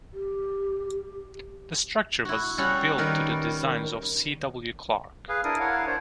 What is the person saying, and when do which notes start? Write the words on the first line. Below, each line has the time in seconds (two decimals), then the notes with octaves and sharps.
The structure was built to the designs of C. W. Clark.
0.13 G4
2.25 E4 F#4
2.58 G3 C#4 E4 F#4 F#5
2.98 D#3 G3 A#4 B4
5.29 G#4 B4 F5
5.44 D4 E4 A#4 D#6
5.60 E4 A#4 C#5 F5 F#5
5.87 D4 C5 C#5